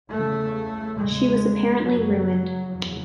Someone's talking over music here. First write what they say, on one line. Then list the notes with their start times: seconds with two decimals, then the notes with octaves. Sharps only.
She was apparently ruined.
0.09 E2 C#3 A3
0.97 E2 C#3 G#3
1.85 F#2 C#3 F#3
2.72 E2 C#3 F#3